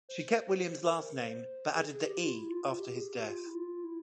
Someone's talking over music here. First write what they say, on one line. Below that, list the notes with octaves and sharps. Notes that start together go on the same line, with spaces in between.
She kept William's last name but added the "e" after his death.
C5
A#4
C5
C5
G#4
G#4
G4
F4
E4
F4
F4
G4
G#4
G4
F4
E4
F4
E4